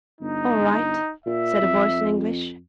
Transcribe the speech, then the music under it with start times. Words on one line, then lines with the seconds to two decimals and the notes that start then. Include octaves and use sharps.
"All right," said a voice in English.
0.21 G1 D#4
1.26 A#2 E5
1.62 F2